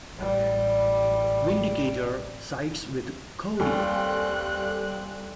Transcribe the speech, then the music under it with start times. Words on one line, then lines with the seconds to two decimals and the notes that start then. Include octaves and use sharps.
Vindicator sides with Cody.
0.16 A1 G3
3.60 D#2 G3 C4 A4 F5 G#5 F#6